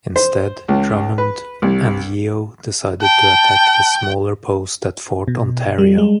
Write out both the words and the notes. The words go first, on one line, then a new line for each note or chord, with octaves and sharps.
Instead, Drummond and Yeo decided to attack the smaller post at Fort Ontario.
C5
C#2
B4
C2
G5 A5
B2
G3
G#3